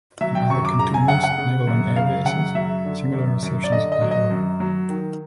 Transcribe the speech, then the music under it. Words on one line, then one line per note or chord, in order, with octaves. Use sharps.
In other Cantonments, naval and air bases similar receptions are held.
F#3 E5
G5
F#2 C#6
D6
C#3 A#5
G#5
C#3 F#5
F#5
C#3
F#2
C#3 F5
F#2 F#5
F#3 E5
D3
F#2
F#2
D5
D3 D#5
D#5
F#3
D#5
F#2
F#3
D#3